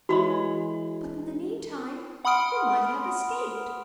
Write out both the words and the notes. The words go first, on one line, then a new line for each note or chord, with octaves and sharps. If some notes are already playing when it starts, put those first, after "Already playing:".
"But in the meantime you might have escaped."
E3 G#3 F#4 C#5 B5 C6
F#5 B5 C6 D#6 F6 D7